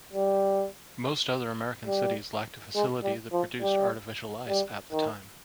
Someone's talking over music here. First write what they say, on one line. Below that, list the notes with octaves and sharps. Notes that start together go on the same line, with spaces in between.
Most other American cities lacked a facility that produced artificial ice at the time.
G3
G3
G#3
G3
F3
G3
G3
D#3